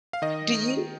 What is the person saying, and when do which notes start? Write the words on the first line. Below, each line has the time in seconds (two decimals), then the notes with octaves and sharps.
Do you
0.13 F5
0.22 D#3 D#5